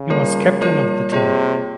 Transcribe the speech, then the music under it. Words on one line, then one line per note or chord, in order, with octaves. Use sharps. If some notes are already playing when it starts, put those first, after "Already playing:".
He was captain of the team.
Already playing: C#3
G3 A#3 F4 A#4 C#5
G3 A#3 F4 A#4 C#5
C3 A#3 F4 G#4 C#5